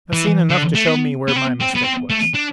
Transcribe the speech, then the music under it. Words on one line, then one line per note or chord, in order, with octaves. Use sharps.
I've seen enough to show me where my mistake was.
E3
D3
A3
B3
B3
C4
C4
B3
C4
A3
D4